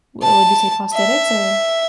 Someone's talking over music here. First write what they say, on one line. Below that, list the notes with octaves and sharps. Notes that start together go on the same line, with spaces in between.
what would you say prosthetics, or?
A5
E5